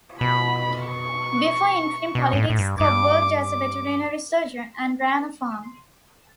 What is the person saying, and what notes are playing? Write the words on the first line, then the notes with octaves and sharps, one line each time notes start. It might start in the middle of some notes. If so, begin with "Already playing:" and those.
Before entering politics Cobb worked as a veterinary surgeon and ran a farm.
B2 B5
C#6
B2
G2
A2
A2
G2
G2 D6
D6